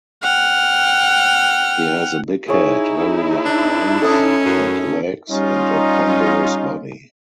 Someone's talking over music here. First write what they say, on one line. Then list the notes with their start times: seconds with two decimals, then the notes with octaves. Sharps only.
He has a big head, very long arms and legs, and a ponderous body.
0.23 F#5 G5 F6
2.48 D#4 E4 G#4 C#5
3.45 D4
4.02 C#4 A4 D#6
4.45 F#2
5.30 G3 C#4 D#4 F4